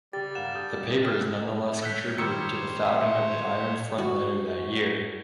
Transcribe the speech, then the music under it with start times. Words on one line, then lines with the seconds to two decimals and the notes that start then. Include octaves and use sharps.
The papers nonetheless contributed to the founding of the Iron Front later that year.
0.13 C#3 G3 G4 A6
0.35 G2 A#4 F5 F#5 E7
0.55 G4 A4 D#6 G6
0.74 G2
1.03 G#3 C#4 G4 A#4 F6
1.82 C#5 E6 F#6 G6 B6
2.18 D#3 G3 C5 C#5 E6 C#7
2.85 E5
3.98 F#4